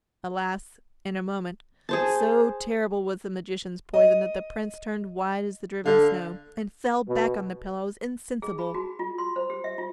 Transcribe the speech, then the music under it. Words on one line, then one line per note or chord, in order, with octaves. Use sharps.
Alas, in a moment, so terrible was the magician's poison that the Prince turned white as the driven snow, and fell back on the pillows insensible.
G#4 C5 A5
D#5
D3 F5
B2
G#4
B5
F#4
F4
C6
C5
G4
E5
F4